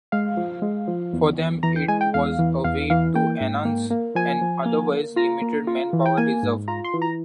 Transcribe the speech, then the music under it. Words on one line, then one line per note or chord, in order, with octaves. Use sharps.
For them it was a way to enhance an otherwise limited manpower reserve.
G#3 F5
F3
G#3
F3
E2
E2
E3 A#5
G5
G#3 G#5
G5
E2 F5
E3
E2 F5
E3 F5
A#3 G5
G#2
A#3
A#3
F3 G#5
F3
A#3
A#3
F4 A#5
A#3
F4
E3
G5
A#3 G#5
G#2
F4 A#5
C6
E3
A#5